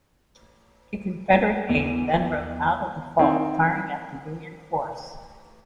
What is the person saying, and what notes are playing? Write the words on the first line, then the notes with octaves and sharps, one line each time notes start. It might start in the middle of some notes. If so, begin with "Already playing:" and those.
A Confederate aide then rode out of the fog firing at the Union force.
E2
D#3 C4 C#5